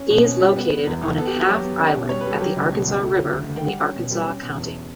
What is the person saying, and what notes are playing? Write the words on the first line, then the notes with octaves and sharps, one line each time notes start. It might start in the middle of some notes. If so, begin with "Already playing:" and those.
He is located on an half-island at the Arkansas River in the Arkansas County.
Already playing: C#4
B2
C#4
G3
B3
B3
E2
E3
B3 A4
G4
B3 F#4
F#3 G4
B3
C#4
B2
G3 C#5
B4
G3 A4
F#3 G4
C#2
B2
C#2
A3
D2
D2
D2
G5
G3 F#5
C#4
B2
G3
C#4
B2
E2